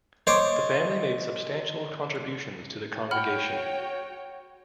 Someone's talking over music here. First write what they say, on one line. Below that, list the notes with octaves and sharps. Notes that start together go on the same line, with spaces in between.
The family made substantial contributions to the congregation.
C5 C#5 D#5 D6
F#4 C#5 F#5 G5 B5 F6